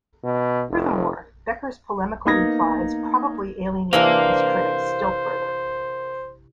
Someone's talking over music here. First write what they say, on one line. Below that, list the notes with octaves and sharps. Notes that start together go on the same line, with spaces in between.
Furthermore Becker's polemical replies probably alienated his critics still further.
B2
F1
A#3 B3 D#4 D#6 G#6 A#6
C3 E3 D4 A#4 C5 F5